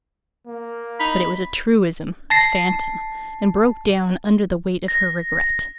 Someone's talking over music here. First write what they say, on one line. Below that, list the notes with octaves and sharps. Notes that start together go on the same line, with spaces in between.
But it was a truism, a phantom, and broke down under the weight of her regret.
A#3
D#4 B5
A5 A#6 C7
A#6